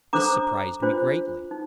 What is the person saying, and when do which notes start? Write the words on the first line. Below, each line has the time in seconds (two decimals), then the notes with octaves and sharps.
This surprised me greatly.
0.13 D4 A4 C5 A#5 D6
0.82 D4 F4 C5
1.51 D#4